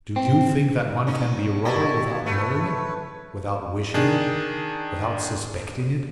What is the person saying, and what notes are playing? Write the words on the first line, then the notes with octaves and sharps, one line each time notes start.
Do you think that one can be a robber without knowing it, without wishing it, without suspecting it?
C4
C#4 D#4
E4 F#4 G4 C#5 D#5 A5
A3 B4 C#5
D#3 D4 G#4